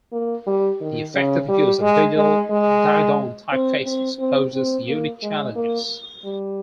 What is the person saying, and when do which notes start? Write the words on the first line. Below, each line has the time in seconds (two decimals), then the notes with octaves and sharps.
The effective use of digital Didone typefaces poses unique challenges.
0.12 A#3
0.47 G3
0.81 D#3
1.14 C#3
1.48 G3
1.82 G#3
2.16 G#3
2.51 G#3
3.52 C4
3.86 C4
4.20 C4
4.54 C4
4.88 A#3
5.23 G#3
5.55 A#3
6.25 G3